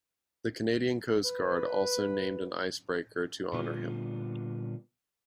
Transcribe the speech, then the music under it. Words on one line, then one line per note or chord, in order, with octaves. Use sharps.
The Canadian Coast Guard also named an icebreaker to honour him.
B4
A#2 D3 G3 B3 F4